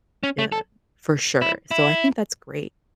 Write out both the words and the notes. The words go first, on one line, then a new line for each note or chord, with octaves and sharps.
yeah, for sure. So, I think that's great,
C#4
A3
A4
E4
E4